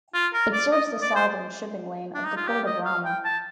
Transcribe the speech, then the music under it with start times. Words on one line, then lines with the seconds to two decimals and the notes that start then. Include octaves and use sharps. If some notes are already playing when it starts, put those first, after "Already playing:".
It serves the southern shipping lane of the Port of Rauma.
0.14 F4
0.33 A#4
0.53 D5
0.72 D#5
1.02 D5
1.16 C5
2.14 D4
2.25 D#4
2.36 F4
2.47 G4
2.66 D#5
2.85 F5
3.05 G5
3.25 A5